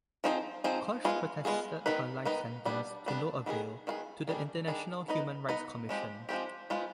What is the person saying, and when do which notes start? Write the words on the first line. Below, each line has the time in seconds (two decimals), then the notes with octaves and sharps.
Koch protested her life sentence, to no avail, to the International Human Rights Commission.
0.24 F3 C4 D#4 G#4 C5
0.64 F3 C4 D#4 G#4 C5
1.05 G#3 B3 F4 G#4
1.45 G#3 B3 F4 G#4
1.86 D#3 B3 D#4 B4
2.25 D#3 B3 D#4 B4
2.65 G3 B3 D4
3.06 G3 B3 D4
3.46 D#3 B3 F4 G#4
3.87 D#3 B3 F4 G#4
4.28 D#3 G3 D4 G#4
4.68 D#3 G3 D4 G#4
5.08 B3 D#4 B4 D#5
5.49 B3 D#4 B4 D#5
5.89 F3 G#3 C4 G4
6.29 F3 G#3 C4 G4
6.70 G#3 B3 F4 C5